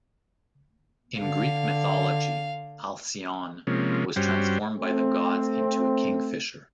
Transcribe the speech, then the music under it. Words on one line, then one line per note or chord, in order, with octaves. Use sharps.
In Greek mythology, Alcyone was transformed by the gods into a kingfisher.
D3 F5
C3 F3 G#3 A#3 C#4
G2 G3 C#4 F#4 C5 G5
A3 C4